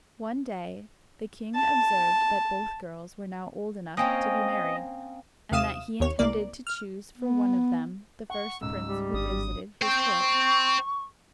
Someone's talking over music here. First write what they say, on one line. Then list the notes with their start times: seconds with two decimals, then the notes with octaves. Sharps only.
One day the king observed that both girls were now old enough to be married, and that he intended to choose for one of them the first prince who visited his court.
1.55 A5
3.97 A#3 C4 C#4 D#5 G5 G#5 D#6
5.52 D#2 C3 F5 D#6 E7
6.00 D#2 C#5
6.19 C2 A#3 D5
6.67 F6
7.18 B3
8.30 F#5 C#6
8.61 C#2 G#2 E6
8.87 G3
9.13 G#1 G2 D#6
9.82 C5 G5 C#6